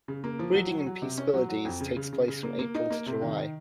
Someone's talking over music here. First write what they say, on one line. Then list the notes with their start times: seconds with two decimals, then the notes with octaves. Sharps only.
Breeding in "P. spiloides" takes place from April to July.
0.08 C#3
0.24 A#3
0.39 F3
0.55 F#3
0.71 F#3
0.86 F#3
1.02 C3
1.18 C#4
1.34 F#3
1.49 F#3
1.65 F2
1.80 C#3
1.96 C#3
2.13 C#3
2.28 C#3
2.43 A#3
2.59 A#3
2.75 D#4
2.90 A#3
3.06 C3
3.22 D#3